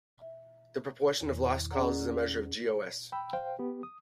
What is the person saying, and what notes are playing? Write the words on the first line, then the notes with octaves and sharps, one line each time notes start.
The proportion of lost calls is the measure of GoS.
E5
E2 A#2 D#3
C#4 G#4 D5 F#5 A#5
G5 B5 E6
C5 F5 G5
B3 G4
D#6